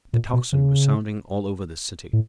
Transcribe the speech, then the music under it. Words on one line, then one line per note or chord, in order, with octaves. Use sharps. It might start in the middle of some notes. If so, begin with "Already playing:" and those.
The tocsin was sounding all over the city.
A#2
B2
C#3
A2